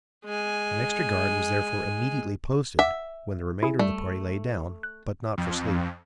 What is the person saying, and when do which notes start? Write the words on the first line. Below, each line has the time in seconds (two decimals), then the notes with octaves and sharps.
An extra guard was therefore immediately posted, when the remainder of the party lay down; but, not for sleep.
0.25 G#3 G#5
2.79 E5 F#5 G#5 D6
3.63 E4 G#4
3.79 G3 A3
4.83 F#6
5.38 F2